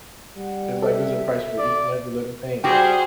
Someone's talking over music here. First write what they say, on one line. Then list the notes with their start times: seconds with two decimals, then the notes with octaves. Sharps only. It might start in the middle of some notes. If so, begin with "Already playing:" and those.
It's like there's a price for each and every little thing.
0.37 G3 F#5
0.82 A4 E5
1.58 D5
2.64 G3 F#4 G#4 C5 D5 G5